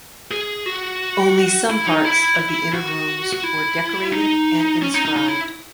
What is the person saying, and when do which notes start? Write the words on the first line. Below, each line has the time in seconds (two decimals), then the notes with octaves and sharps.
Only some parts of the inner rooms were decorated and inscribed.
0.31 G#4
0.66 F#4
1.70 E4
1.87 D#4
2.04 E4
2.39 E4
2.74 F#4
3.33 F#4
3.44 E4
4.13 D#4
4.82 C#4
4.94 D#4
5.05 D#4
5.16 D#4
5.28 E4